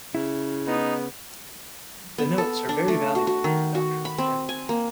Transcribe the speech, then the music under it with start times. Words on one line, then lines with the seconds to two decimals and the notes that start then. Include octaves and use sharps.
The notes are very valuable from a doctrinal standpoint.
0.15 C#3 E4
0.67 B3 D#4
2.18 B3
2.38 A4
2.69 D4
2.88 A3
3.15 F#4
3.27 F#4
3.44 D#3
3.75 F#4
4.05 B5
4.18 C4
4.49 G#5
4.69 A#3